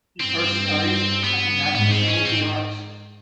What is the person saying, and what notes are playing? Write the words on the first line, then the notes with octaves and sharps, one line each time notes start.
She first studied at The National School of the Arts.
G2 C4
B3
G#2 B3
C4
C#4
C4